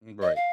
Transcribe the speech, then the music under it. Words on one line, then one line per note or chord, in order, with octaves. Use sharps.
M right.
D#5
F5